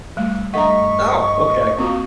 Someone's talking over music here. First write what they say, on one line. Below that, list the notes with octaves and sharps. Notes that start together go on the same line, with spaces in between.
Oh, okay.
G3 A3
G2 A3 D#5 F#5 A#5 C#6 B6
A#3 C4 F4 F#4